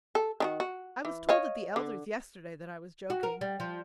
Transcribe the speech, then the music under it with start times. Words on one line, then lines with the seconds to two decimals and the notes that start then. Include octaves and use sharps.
I was told at the elder's yesterday that I was joking.
0.15 A4
0.40 D#3 D4 F#4
0.60 F#4
1.05 E3
1.29 C#5 D#5 F5
1.76 D3
3.10 F#4
3.23 A#4
3.41 G3
3.60 F3